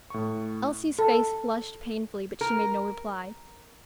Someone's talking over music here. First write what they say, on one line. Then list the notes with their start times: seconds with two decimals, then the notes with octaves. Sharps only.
Elsie's face flushed painfully, but she made no reply.
0.10 A2 C#6
0.99 A4
2.41 A#4